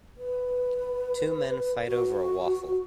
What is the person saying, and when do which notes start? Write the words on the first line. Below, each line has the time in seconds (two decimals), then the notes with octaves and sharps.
Two men fight over a waffle.
0.17 B4
1.86 F#4